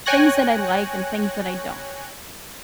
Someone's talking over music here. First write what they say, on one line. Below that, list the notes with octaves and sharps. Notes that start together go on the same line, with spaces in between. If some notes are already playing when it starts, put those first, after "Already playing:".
things that I like and things that I don't.
C#5 G5 G#5 C#6 F#6 A#6